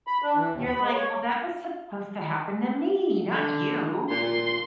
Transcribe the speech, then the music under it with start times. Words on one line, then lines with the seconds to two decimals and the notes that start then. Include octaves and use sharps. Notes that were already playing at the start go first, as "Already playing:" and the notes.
you're like, "Well, that was supposed to happen to me, not you."
0.07 B5
0.22 D4
0.36 E3
0.52 D#2
0.66 B5
0.81 G#3
0.92 C#5
3.32 D3
4.10 A#2 C6